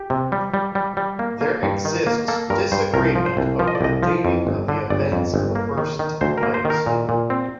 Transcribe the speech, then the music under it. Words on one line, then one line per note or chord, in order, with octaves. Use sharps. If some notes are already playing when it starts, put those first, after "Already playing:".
There exists disagreement over the dating of the events of the first dynasty.
Already playing: G4
C3
G3
G3
G3
G3
A#3
A#3
G2
D#3
A#3
A#3 A4
G2 A#4
G2 C5
C2 A#4
F3
C5
C2
F3
D#5
D5
C2 D#5
F3
F2
G1
D3
G1 D5
F2
G1
A#3
D#3
D#3
D2 C5
A#4
A#3
C5
D#3
A#4
A#2
A#2
C4